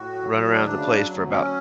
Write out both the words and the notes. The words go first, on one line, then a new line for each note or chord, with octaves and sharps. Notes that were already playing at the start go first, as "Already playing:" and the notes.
run around the place for about
Already playing: A2 F#4
F#3
F#3
D2 D4
C#3
F#3
D2
F#3 C#4